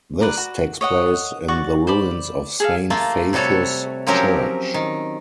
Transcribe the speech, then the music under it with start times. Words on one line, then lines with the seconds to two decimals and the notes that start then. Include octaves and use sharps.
This takes place in the ruins of Saint Faith's Church.
0.21 B4 D5 A#5
0.37 F#4
0.81 C#5 D#5 F#5
1.48 F#4 D5 C#6
1.87 C5 D5 B5 D6
2.60 G#4 A4 F5
2.90 A3 A#3 F4
3.33 C3 G3 F#4 A4 C#5
4.07 F3 F#3 C4 C#4 G4 A#4
4.74 D#3